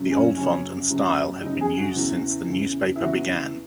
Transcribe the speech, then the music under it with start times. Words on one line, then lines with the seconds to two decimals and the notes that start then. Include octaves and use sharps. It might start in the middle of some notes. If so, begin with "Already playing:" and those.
The old font and style had been used since the newspaper began.
Already playing: F#2 C#3 F#3
0.11 C#4
0.37 F#2 C#3 F#3 C#4
0.90 F#2 C#3 F#3
1.43 F#2 C#3 F#3 D#4
1.61 G#4
1.78 F#4
1.95 E2 C#3 E3
2.48 E2 C#3 E3
2.96 E4
3.01 E2 C#3 E3 F#4